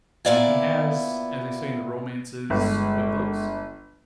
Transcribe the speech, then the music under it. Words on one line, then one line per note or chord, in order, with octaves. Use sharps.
He has--as they say in the romances--good looks.
A#2 B3 E4 D5 F5 G#5
G1 G#3